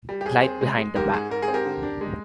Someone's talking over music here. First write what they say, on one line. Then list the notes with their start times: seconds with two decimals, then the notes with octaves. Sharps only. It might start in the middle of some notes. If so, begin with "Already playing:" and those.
Light Behind The Back.
0.09 G3
0.21 G4
0.26 D#2 G#4
0.43 C4
0.61 G#3
0.78 G#3
0.96 G#2 G4 A#4
1.13 G#2 G#4
1.30 G#2 A#4
1.42 G#4
1.48 C4
1.54 G4 A#4
1.66 D3
1.83 D4
2.01 G#3